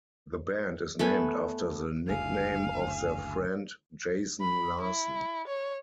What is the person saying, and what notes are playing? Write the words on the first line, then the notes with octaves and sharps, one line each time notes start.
The band is named after the nickname of their friend, Jason Larsen.
A3 B3 G#5 B5
F#1 D2 F5 G#5
B5
E4
C#5